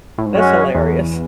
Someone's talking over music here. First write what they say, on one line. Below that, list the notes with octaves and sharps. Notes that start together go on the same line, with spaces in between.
That's hilarious.
A2
G#2
F#2 G#3 C#4 F#4
E2